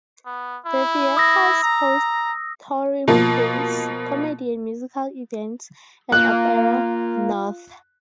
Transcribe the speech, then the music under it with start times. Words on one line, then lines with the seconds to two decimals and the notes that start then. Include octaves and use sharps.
The theatres host touring plays, comedy and musical events and Opera North.
0.26 B3
0.65 E4
1.17 D#6 E6 A#6
1.63 A#5
3.08 B2 F3 A#3
6.12 A#3 F4 F#6